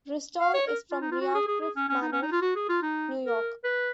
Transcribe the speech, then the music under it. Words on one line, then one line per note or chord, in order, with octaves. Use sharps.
Ryssdal is from Briarcliff Manor, New York.
F5
C#5
A#4
F4
D#4
F4
F#4
G#4
G#4
G#4
C#4
C#4
D#4
C#4
D#4
F4
F#4
G#4
F4
D#4
A#4
B4